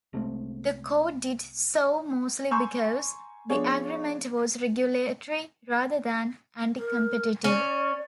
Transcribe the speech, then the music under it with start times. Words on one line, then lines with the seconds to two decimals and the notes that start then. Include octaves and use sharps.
The Court did so mostly because the agreement was regulatory rather than anticompetitive.
0.13 C2 G#3 A3 C4
2.51 G#5 A#5 C6 C#6 E6 G6
3.49 F3 B3 D4 F4 G#4 C#5
6.78 A#4
7.44 C#4 D5